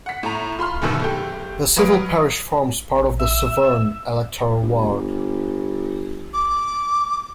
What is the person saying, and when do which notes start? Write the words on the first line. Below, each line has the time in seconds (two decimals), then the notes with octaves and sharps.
The civil parish forms part of 'Severn' electoral ward.
0.06 F#5 B6
0.23 A2 A#5
0.59 F4 B5 C6 F6
0.82 F#1 D2 G2 B2 D#3 E6
1.00 F#1 A3 G4
1.76 F#3 B4 F5 D#6 D7
3.20 E5
4.61 G1
6.34 D6